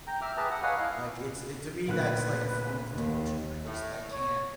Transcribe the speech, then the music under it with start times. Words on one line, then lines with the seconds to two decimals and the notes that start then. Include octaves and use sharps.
like, it's it to me, that's like a form of torture; I just I can't
0.07 G5 A#5
0.22 E5 D6 F6
0.37 G4 G#4 B4 E5 A5 A#5
0.51 F#5
0.63 B4 C#5 D#5 F5 F#5 G#5
0.79 E4 F5 F#6
1.88 D2 A#2 B4 F#6
2.94 D#2
3.64 A2
4.11 C#5